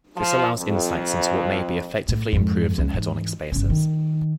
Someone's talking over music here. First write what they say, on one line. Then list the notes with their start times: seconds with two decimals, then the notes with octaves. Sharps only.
This allows 'insights into what may be effectively improved in hedonic spaces.
0.17 F3
0.58 F2
2.09 A2
2.32 F2 G#2
2.78 C#2 F3
2.94 G#2 E3
3.52 G1 C#3
3.70 D#3